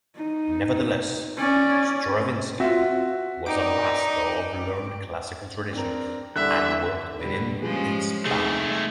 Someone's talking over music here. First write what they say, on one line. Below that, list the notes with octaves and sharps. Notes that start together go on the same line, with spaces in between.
Nevertheless, Stravinsky was a master of learned classical tradition and worked within its bounds.
D#4
C#4 D5
C4 F4 F#4 E5
B3 D4 D#4 A#4 G5 D6 D7
C4 D4 A#4
E2 D3 G3 E5 F#6
B2 D3 G3 B4
F3 G3 G#3 C#4 F4 G#4
C3 G#3 A3 D#4 G#4